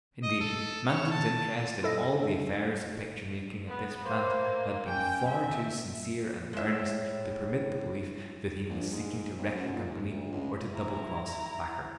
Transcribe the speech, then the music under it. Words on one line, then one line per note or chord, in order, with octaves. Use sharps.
Indeed, Manton's interest in all the affairs of picture making at this plant had been far too sincere and earnest to permit the belief that he was seeking to wreck the company or to double-cross his backer.
D#5
A4
C#5
A5
E4 A4 D#5
B3
A#3 C5
C#4 G5
E5
A2 G#3 E5
A#1
G#2
B1
F#2
A#2
D#2
D2
C#2
E4 A#5